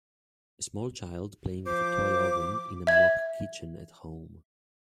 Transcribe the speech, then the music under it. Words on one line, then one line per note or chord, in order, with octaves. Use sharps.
A small child playing with a toy oven in a mock kitchen at home.
F3 C5 D6
E5 G#6